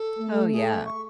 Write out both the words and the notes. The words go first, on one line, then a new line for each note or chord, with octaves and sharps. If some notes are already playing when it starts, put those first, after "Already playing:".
Oh, yeah.
Already playing: A4
A3
G#4
E5
C#6